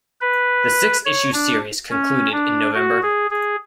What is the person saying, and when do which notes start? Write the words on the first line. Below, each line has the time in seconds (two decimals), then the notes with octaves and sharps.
The six-issue series concluded in November.
0.21 B4
1.05 C#5
1.33 D4
1.90 C#4
2.32 D4
2.75 F#4
3.03 G#4
3.31 G#4